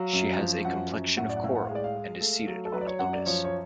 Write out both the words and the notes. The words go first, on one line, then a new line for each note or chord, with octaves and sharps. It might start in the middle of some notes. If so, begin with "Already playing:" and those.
She has a complexion of coral and is seated on a lotus.
Already playing: F#3 F5
F#2
F3
F#2 F#5
F#2
A2 F#5
D5
F#5
A2 F5
F#5
G#3 F5
D5
F5
G#3
A3
F#3
A4
F#3 B4
D5
C#5
F#2 F#5
D5
F3 C#5
C#5